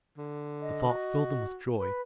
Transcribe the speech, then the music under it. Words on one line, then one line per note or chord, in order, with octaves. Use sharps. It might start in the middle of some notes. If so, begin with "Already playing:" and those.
The thought filled them with joy.
D3
D#5
F#4
B4